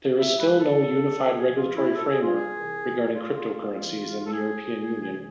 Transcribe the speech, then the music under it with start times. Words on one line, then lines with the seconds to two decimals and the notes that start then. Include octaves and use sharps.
There is still no unified regulatory framework regarding cryptocurrencies in the European Union.
0.19 A2 E3 G#3 E5
0.39 B4
0.59 A4
1.37 D2 C3 F3 G#4
1.57 F4
1.76 E4
1.95 A4
2.09 G#4
2.21 F4
2.34 G#4
2.55 C2 C3 E3
3.14 F4
3.34 F4
3.53 F4
3.73 A2 E3 G#3
4.26 A4
4.31 G#4
4.91 D2 C3 E3 G#3